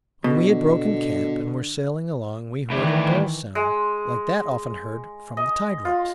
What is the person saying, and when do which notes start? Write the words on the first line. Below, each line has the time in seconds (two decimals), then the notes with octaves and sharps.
When we had broken camp and were sailing along, we heard a dull sound like that often heard from the tide rips.
0.24 B2 D3
2.70 A2 D#3 E3 E4 D5
3.55 G#3
5.37 D#5
5.85 F4